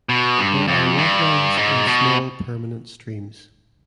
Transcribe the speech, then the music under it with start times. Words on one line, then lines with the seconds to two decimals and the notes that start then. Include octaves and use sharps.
There are wetlands and small permanent streams.
0.09 B2
0.38 G2
0.68 F2
0.98 G2
1.57 G#2
1.87 B2